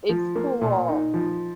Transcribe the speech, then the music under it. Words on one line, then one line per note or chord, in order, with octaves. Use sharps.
It's cool.
F3
A#3
A#2
D#4
F3